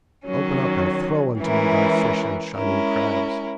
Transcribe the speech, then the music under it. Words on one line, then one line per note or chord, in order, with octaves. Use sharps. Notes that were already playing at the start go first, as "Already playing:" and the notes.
Open up, and throw unto me thy fish and shining crabs!
D#3 F#3 C#4
E3 G#3 C#4 E4 A#4
G#3 C#4 E4 A#4